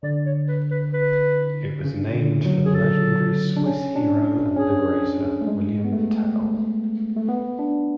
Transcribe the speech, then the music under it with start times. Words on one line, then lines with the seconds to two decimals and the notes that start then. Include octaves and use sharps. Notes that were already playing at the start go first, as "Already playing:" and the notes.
It was named for the legendary Swiss hero and liberator, William Tell.
0.03 D3 D5
0.26 C#5
0.48 B4
0.71 B4
0.94 B4
1.84 C#3
2.15 D3
2.45 F#3
2.65 G#4
2.75 A4
3.56 D4
3.66 C#4
3.96 D4
4.56 C#4 G#4
5.41 A3
5.47 G#3
5.84 B3
5.92 A3
7.17 A3
7.29 B3
7.59 D4